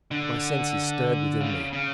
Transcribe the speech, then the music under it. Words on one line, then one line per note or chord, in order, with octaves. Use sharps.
My senses stirred within me.
D3
C#3
C#3